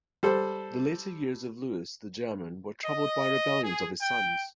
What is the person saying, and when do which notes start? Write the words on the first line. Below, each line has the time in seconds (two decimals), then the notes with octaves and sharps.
The later years of Louis the German were troubled by rebellions of his sons.
0.23 G3 A4 C5
2.85 D#5
3.64 G#4
4.00 G5